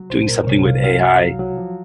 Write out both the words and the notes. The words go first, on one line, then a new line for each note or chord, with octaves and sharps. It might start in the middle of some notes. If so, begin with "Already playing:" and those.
doing something with AI,
Already playing: F#3
C2 C5
A#2 A#4
C2 C#5
C2 F5
F#3 F5
F#3
C#2
F#3
F3